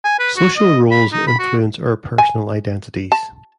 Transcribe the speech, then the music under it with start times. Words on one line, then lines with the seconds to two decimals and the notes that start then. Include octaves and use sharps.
Social roles influence our personal identities.
0.05 G#5
0.20 B4
0.37 F#4
0.57 D#5
0.91 B5
1.13 D#4
1.28 B5
1.39 F#4
2.18 G#5
3.12 A5